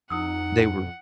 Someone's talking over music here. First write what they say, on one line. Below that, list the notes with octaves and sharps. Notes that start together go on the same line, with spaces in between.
They were
F2 D#4 E4 F#5 D#6 E6